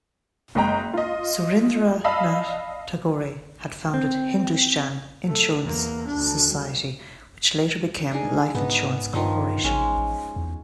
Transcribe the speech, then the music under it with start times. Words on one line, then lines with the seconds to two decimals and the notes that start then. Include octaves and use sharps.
Surendranath Tagore had founded Hindusthan Insurance Society, which later became Life Insurance Corporation.
0.55 F#1 G#3 D#5 G5 A#5
0.93 F4 D#5
2.04 D5 D#5 F5 A5 B5 E6
3.94 C4
5.26 A3
5.63 E2 A#3
6.07 D2 D4
6.51 G3
8.11 D4 D#4 G#4
8.55 G#2 B3 D#4
9.14 G2 D#3 F3 D#4
9.64 A1 G#3 C#4
10.36 E2